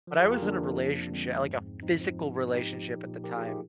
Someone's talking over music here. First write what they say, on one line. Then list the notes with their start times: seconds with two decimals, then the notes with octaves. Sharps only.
but I was in a relationshi like a physical relationship at the time.
0.07 F3
0.19 F4 G#4
0.24 F2
0.31 G4 A#4
0.42 D3 A#3 D4
0.61 F2
0.78 F3
0.95 F2
1.13 D3 G#3 C4
1.30 F2
1.48 G#2
1.66 G#2
1.83 F3 C4 D#4
2.01 F3
2.18 G#2
2.37 G#2
2.54 F3 D#4 G4
2.72 F3
2.89 A#2
3.06 A#2
3.24 F3 G4 A#4
3.35 F4 G#4
3.41 F3
3.48 D#4 G4